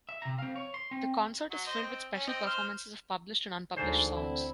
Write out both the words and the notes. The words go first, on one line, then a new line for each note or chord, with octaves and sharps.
The concert is filled with special performances of published and unpublished songs.
E5
C3 A#5
C4 F5
C#5
C6
C4
F#3
C5 D#5
C4
C#4
C4 D#5
C5 F6
D2 G#2 D3 E3 A3 C5
C4 E4